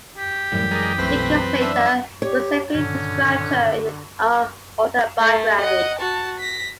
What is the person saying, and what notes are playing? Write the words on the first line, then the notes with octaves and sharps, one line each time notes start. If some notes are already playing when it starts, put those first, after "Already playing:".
Decades later, Giuseppe described her in his own autobiography.
G4
F#2 A2 E3 G3
G#3 A#4 D5 D#5
B1 A3 C4 B4 A#6
D4 E5
G4 C#5
G2 A#2 D3 D#3 C#4
A3
D#5 F#5
F#4 A5
A#6 B6